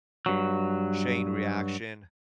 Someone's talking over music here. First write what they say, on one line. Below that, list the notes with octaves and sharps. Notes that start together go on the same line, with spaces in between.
chain reaction.
G2 F#3